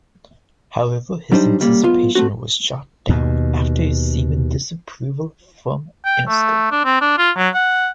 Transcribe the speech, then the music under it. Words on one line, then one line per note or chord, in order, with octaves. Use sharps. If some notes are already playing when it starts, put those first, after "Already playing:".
However, his anticipation was shot down after receiving disapproval from Interscope.
F#3 G3 D4 D#4 C5
C#3 G3 A3 A#3
B1 G#2 B3 F4
A3 C4 F#4
D#2 B2
G5
A3
D4
C4
D4
F4
F#3
F#5